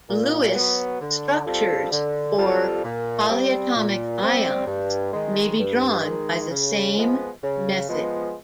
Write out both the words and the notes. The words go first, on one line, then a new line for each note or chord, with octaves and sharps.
Lewis structures for polyatomic ions may be drawn by the same method.
A#2
F#3 B3
D3
G3 C4 F4 A4
D3
G3 C4 F4 A4
A#2
G3 C4
A#2
G3 C4
G2
D#3 G#3
G2
D#3 G#3
C#3
F3 G#3 B3
C#3
F3 G#3 B3